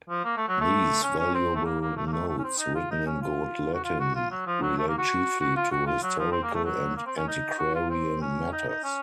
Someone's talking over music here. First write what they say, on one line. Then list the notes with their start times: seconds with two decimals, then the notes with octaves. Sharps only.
These valuable notes, written in good Latin, relate chiefly to historical and antiquarian matters.
0.10 F3
0.25 A#3
0.37 A3
0.48 F#3
0.61 A3
1.03 C#4
1.19 C#4
1.34 C4
1.55 A3
1.65 A#3
1.81 A#3
1.97 A3
2.07 A#3
2.12 A3
2.28 A3
2.39 C#4
2.44 C4
2.59 D#4
2.75 F4
2.91 D#4
3.06 C#4
3.22 F4
3.73 F#4
3.84 F4
4.00 F#4
4.15 F4
4.31 F#3
4.46 F3
4.62 F#3
4.78 A3
4.88 A#3
4.98 F#4
5.40 F#4
5.56 F4
5.71 F#4
5.87 F4
6.03 F#3
6.18 F3
6.32 C4
6.43 A#3
6.54 A3
6.65 F#3
6.96 A#3
7.06 C4
7.17 C#4
7.28 D#4
7.59 F#4
7.75 F4
7.90 C4
8.21 C#4
8.53 D#4
8.68 D#4
8.84 C#4